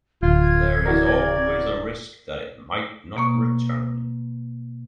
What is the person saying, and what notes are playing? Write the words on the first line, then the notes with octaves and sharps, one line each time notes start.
There is always a risk that it might not return.
D1 F4 G#6
E3 F#4 A#4 D5
B2 A#3 C#6